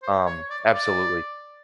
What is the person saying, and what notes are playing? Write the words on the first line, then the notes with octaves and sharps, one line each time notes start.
um, absolutely.
C5
C#5
D5
D5